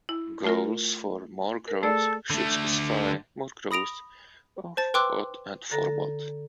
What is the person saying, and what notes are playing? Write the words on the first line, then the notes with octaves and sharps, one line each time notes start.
Goals for more growth should specify more growth of what and for what.
E4
A3 F4 A#4
A#4
A3 G#4 A4 D5
D3 A3
B5 D#6 A#6 D7 F7
C5 A5 A6
B4 G5 C6 D6 E6 F#6
D3 A4 A#5 A#6